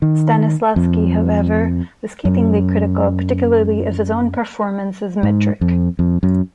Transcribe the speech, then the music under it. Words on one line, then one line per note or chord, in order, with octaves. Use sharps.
Stanislavski, however, was scathingly critical, particularly of his own performance as Mitrich.
D#3
F2
F#2
G#2
F2
F2
F#2